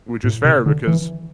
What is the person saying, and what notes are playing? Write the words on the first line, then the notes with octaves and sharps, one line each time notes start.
Which is fair, because
A2
C3
D3
E3